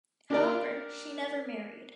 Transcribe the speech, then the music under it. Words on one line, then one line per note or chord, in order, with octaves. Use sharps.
However, she never married.
D4 G4 A#4 D5